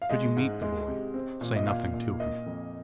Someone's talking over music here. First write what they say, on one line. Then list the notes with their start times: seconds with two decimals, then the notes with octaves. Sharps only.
"Should you meet the boy say nothing to him."
0.02 F5
0.10 G#3 D#5
0.37 G#2
0.62 G#3
0.88 C3
1.14 C4
1.41 A#2
1.56 D#5
1.67 A#2 F5
1.94 A#2
2.19 A#3 D#5
2.46 F2